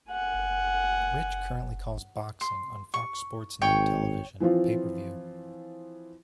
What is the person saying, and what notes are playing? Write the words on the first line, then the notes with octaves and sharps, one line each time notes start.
Rich currently calls boxing on Fox Sports Net television, pay per view.
F#5 G#5
C6
C#6
G#1 C#5 G5 C#6
E3 F3 C4 F4